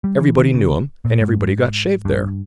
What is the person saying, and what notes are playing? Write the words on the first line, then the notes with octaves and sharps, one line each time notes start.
Everybody knew him and everybody got shaved there.
G3
E3
D#3
C#3
A#2
G#2
G2